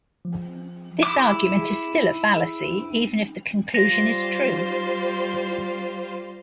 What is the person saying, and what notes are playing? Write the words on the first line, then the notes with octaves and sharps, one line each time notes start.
This argument is still a fallacy even if the conclusion is true.
F3
E4 D6
G3 F4 C5 A#6